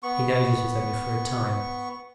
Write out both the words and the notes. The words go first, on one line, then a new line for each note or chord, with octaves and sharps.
He knows it is only for a time.
B3 C#6